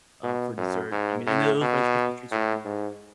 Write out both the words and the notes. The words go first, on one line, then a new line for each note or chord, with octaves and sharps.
uh, for dessert, I mean and tho those Rice Krispie treats are m
B2
F#2
G#2
A2
B2
A2
G#2